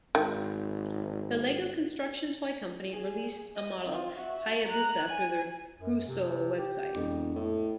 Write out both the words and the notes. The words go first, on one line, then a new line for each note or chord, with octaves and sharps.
The Lego construction toy company released a model of "Hayabusa" through their Cuusoo website.
G#1 D#3
G#4
D#5
C4 F4
F#4 E5
A#5 F#6
G#5
F#2
C3
G4
E1 F2
A2